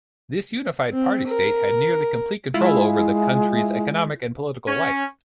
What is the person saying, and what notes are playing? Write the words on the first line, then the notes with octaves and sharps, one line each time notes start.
This unified party-state had nearly complete control over the country's economic and political life.
C4
A#4
G#3 E4 F4
C#4